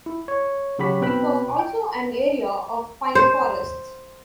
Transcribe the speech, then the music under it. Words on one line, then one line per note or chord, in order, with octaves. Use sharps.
It was also an area of pine forests.
E4
C#5
C#3 F#3 F#4 G4 B5 B6
B2 C4 B4 G5 B5
G5
C5